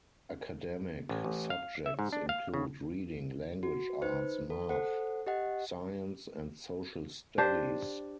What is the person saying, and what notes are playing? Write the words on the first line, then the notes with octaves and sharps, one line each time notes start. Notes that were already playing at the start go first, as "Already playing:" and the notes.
Academic subjects include reading, language arts, math, science, and social studies.
A1
A1
F5
E5
G#2
D4
F5
C#3
F#4
D#4 B4 C5
A4
A4 C5 F#5
G4 D#5 F#5
D4 G4 C5